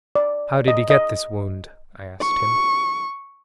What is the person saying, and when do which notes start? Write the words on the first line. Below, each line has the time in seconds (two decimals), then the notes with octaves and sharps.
"How did he get this wound?" I asked him.
0.15 D5
0.68 D#5
0.90 D#5
2.21 C#6